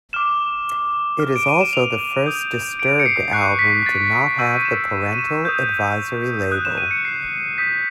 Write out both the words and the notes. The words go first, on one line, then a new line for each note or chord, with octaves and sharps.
It is also the first Disturbed album to not have the Parental Advisory label.
D6 F6 E7
D6 F6
D7
D#7
E7
F7
D#6 G6
D7
C#7
C7
C#6 F#6 C7
B6
A6
C#6 E6 G6 D#7
D#7
E7
D#7
E7
D#6 G6
D#6 F#6
E7
D#7
C#7
C7
D#6 G6 B6